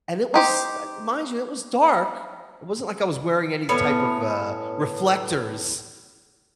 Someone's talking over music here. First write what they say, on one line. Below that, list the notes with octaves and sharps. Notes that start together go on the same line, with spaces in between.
and it was, uh mind you, it was dark, it wasn't like I was wearing any type of, uh, reflectors,
D#4 G4 C5
A2 B3 C#4 C#5